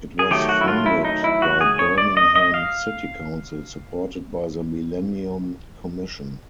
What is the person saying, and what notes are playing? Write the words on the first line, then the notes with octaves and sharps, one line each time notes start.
It was funded by Birmingham City Council, supported by the Millennium Commission.
G#4
D#3 F#3 A3 G4
F#4
E4
F4
E4
D#4
E4
F#4
G#4
C#5
D5
D#5
D#5
F5